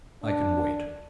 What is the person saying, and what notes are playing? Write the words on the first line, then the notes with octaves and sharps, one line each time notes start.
I can wait.
D4